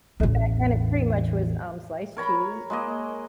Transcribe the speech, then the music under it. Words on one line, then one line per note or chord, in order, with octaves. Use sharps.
But back then it pretty much was, um, sliced cheese,
A1 E2
A#4 C#5 A#5 B5
G#3 A#3 D#5